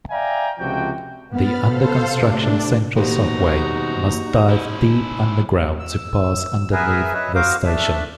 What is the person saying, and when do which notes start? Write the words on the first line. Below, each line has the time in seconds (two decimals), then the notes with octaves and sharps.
The under-construction Central Subway must dive deep underground to pass underneath this station.
0.10 D5 E5 F5 G5 G#5 A#5
0.59 C#2 C3 F3 F#4 G5
1.32 B3 B5 F6 A6
1.64 A4 C5 F5
2.15 C3 A3 D4
2.97 D#2 B2 A#3 D#4 F#4 G4 C5 A#5
4.48 C#4 E4
5.79 E6
6.73 B3 G#4 A#4 B4 E5 G#5
7.14 B4 C#5 D#5 E5
7.35 F#4 A#4 C5 F5 D6 D#6
7.65 A3 D4 E5